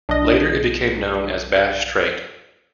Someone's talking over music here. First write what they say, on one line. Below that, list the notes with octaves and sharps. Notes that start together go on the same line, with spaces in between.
Later it became known as Bass Strait.
B1 D4 D#5